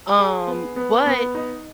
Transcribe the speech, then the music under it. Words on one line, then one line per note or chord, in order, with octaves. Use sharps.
um, but
G#4
B3
B3
B3
D#4